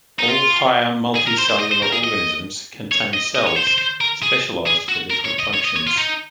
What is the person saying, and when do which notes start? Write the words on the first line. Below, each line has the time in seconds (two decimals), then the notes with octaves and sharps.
All higher multicellular organisms contain cells specialised for different functions.
0.19 D#4
0.29 F4
1.16 G#4
1.27 A#4
1.39 C5
1.50 C5
1.60 D#5
1.72 C5
1.83 A#4
1.92 G#4
2.04 D#5
2.91 C#5
3.14 D#5
3.35 D#5
3.47 C#5
3.56 C5
3.67 C5
3.78 C5
4.01 A#4
4.23 G#4
4.67 G#4
4.89 F#4
5.10 A#4
5.25 C#5
5.40 D#5
5.54 C#5
5.65 D#5
5.76 C#5
5.87 F4
5.98 D#4